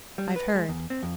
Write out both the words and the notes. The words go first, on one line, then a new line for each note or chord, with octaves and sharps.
"I've heard."
G3
B4
G#3
E2
C4
F2